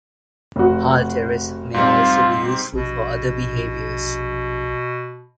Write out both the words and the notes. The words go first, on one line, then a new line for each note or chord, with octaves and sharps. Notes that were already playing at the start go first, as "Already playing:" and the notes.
Halteres may also be useful for other behaviors.
F1 F#4
G#2 G3 C4 F4
A#1 B2